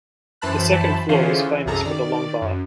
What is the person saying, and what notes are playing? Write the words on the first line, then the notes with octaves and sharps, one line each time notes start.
The second-floor was famous for the Long Bar.
F#2 E3 C5 A5 B5 F#6
D3 E3 C#4 F4 G#4 C5
E3
C2 F#2 C3 G#4 A4 A#5
D#3 D5
F#2